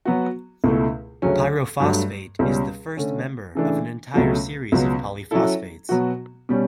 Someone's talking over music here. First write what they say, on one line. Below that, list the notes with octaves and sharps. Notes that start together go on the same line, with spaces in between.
Pyrophosphate is the first member of an entire series of polyphosphates.
F#3 B3 F#4
C#2 B2 A3 E4
D2 C#3 F#3 C#4
G2 F#3 A3
C#2 B2 G3 C#4
D3 A3 C#4
C#3 E3 A3 D4
C#2 B2 F#3 A3 C#4
C#2 B2 F#3 B3
F#3 C#4 E4 A4
B2 F#3 B3 F#4
B2 G3 C#4